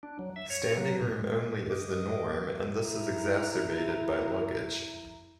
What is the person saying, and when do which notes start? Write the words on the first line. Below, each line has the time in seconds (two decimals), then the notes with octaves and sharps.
Standing room only is the norm, and this is exacerbated by luggage.
0.03 D4
0.19 F#3
0.36 E5
0.50 C#5
0.77 F#3
1.00 A2
1.17 G#3
1.70 D#5 D6
2.80 E4 A#5